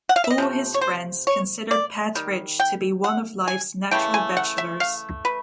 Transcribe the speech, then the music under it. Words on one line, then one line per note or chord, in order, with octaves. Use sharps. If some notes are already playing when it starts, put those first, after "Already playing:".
All his friends considered Pett Ridge to be one of life's natural bachelors.
F#5
F5
E5
D#5
C3 F3 A3
C#5
C5
C#5
D5
D#3 G3
G5
F#5
G#5
C#3 E3 A3 G5
G#5
F#5
E5
F5
B4